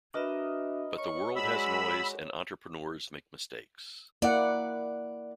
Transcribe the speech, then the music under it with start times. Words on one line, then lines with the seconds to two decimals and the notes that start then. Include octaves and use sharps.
But the world has noise and entrepreneurs make mistakes.
0.14 D4 F#4 A#4 B4 D#5 E5
0.98 C#5 C#6
1.36 G#3 F#4 D5 B5 E6
4.22 A#3 E4 D5 F#5